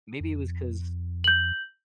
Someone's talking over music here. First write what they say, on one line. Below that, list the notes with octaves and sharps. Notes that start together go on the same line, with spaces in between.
maybe it was 'cause
F2
G6 F#7